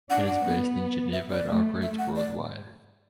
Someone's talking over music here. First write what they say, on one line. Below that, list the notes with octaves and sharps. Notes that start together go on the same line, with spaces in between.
It is based in Geneva and operates worldwide.
D4 F#5
F#5
B3
E5
D5
A3
E5
F#5
D5